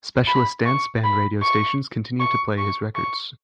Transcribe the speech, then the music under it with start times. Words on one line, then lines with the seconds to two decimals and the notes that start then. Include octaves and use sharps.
Specialist dance band radio stations continue to play his records.
0.27 B5
0.66 C#6
1.04 B5
1.42 C#6
2.20 C#6
2.58 C#6
2.95 C#6